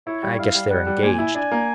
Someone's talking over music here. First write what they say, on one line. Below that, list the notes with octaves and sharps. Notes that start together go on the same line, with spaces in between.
I guess they're engaged.
E4 C#5
G3
E4 F5
G3
G3 F#5
G3
A#2 G#5
E4
D4 G#5
A#3